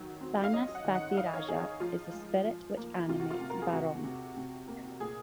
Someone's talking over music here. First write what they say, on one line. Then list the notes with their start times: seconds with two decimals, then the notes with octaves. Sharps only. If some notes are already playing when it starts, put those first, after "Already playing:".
Banas Pati Raja is the spirit which animates Barong.
Already playing: D#3 F#3
0.21 C4
0.44 F5
0.53 C#4 D#5
0.75 F#5
0.85 D#3
0.95 F#5
1.17 D#4 F5
1.25 D#5
1.33 C#5
1.48 D#4 G#4
1.80 F3 F4
2.13 G#3
2.44 F3
2.77 A#3
3.09 C3 F4
3.20 F#4
3.31 F4
3.41 C3
3.50 A#4
3.62 G#4
3.73 C3 F#4
4.04 C3
4.37 C3
4.68 A#3
5.00 A#2 G#4